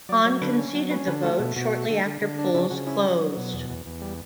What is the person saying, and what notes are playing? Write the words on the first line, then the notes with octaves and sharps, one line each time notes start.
Han conceded the vote shortly after polls closed.
F#3 D5
F#3 C#5
D3 B4
C#4
F#3
C#4 B4
D3 B4
A3 F#4
B2
B2 F#4
A3
D3
D3
D3
D4
C#3 E4
C#3 F#4
C#4 E4
F#3
F#3
B2
E2
E2
E2
G3